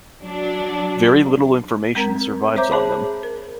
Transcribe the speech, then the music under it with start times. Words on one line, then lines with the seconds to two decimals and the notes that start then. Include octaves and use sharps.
Very little information survives on them.
0.22 F#3 D4
1.95 G#3 C4 A#4 A#5
2.56 C5 C#5 E5 A#5 D6 G6
2.71 G#4 C5 C#5 A5 B5
3.23 A#4